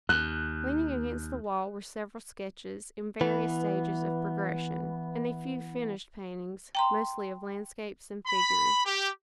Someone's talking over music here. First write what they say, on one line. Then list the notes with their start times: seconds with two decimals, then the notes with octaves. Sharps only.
Leaning against the wall were several sketches in various stages of progression, and a few finished paintings--mostly of landscapes and figures.
0.09 D#2 F#6
3.21 E3 B3
6.75 G5 A#5 C6
8.26 B5
8.85 G4